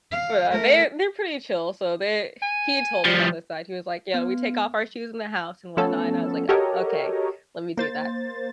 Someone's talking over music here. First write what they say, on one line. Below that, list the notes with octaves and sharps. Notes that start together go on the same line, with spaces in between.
Well, they're they're pretty chill, so, they he told me on the side. He was like, "Yeah. We take off our shoes in the house and whatnot," and I was like, "Oh, okay. Let me do that,"
F5
A3 A#4
G#5
F3 G3
B3
F3 A3 B3 C#4 A4
F#4 G4 A4 A#4 C#5 D#5
A#3 C5 A6